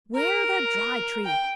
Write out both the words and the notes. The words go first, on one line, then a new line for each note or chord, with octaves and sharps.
Ware the Dry Tree!
A#4
G5